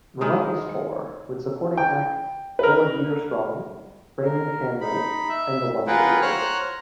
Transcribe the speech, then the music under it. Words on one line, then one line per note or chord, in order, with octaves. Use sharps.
Relentless Tour, with supporting acts Four Year Strong, Framing Hanley, and The Wonder Years.
D#3 G#3 D#4
G5
A#4 B4
A#4
D#4 B5
E5
F4 G#4 A#4 B4 F#5 G5
C5 C#5 F#5 A#5 F6 F#6